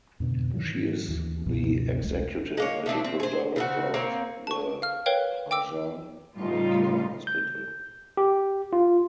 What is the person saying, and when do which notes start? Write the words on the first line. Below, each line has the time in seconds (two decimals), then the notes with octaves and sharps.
She is the executive medical director of the Rajan Eye Care Hospital.
0.20 F2 G#2 B2 D3
0.54 G#2 D#3 E3 F#3
1.08 D#2 E3
1.46 C#2 F#2 B2 F3
2.04 E1 C2 G#3 A3
2.57 G#3 A#3 C#5
2.86 F3 A3 C4 D4
3.04 C4
3.20 G#4 C5
3.56 C#3 C4 F#4
3.94 A#3 C4 C#5
4.47 A5 C#6
4.82 F5 F6
5.06 A#4 B4 C#5 F5 G5
5.51 G5 D6 E6
6.37 A2 C#3 G3 A3 D#4 F4
7.27 G6
8.17 G4
8.73 F4